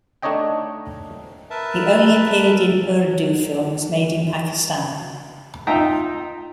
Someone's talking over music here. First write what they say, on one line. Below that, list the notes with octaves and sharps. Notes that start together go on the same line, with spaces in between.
He only appeared in Urdu films made in Pakistan.
A3 D4 D#4 C#5 D#5 G5
A#4 B4 E5 A5
D#4 F4 E5 G5 A#5